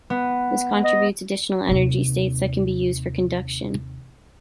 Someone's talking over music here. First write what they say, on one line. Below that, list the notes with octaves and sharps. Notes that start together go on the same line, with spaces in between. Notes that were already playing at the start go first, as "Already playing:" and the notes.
This contributes additional energy states that can be used for conduction.
B3
D#5
D#2 C3